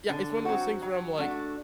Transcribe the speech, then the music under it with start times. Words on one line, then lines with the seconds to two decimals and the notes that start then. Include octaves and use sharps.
Yeah, it's one of those things where I'm like,
0.09 D3
0.45 F#3 C4 F#4
0.82 F#3
1.18 A3 D4 F#4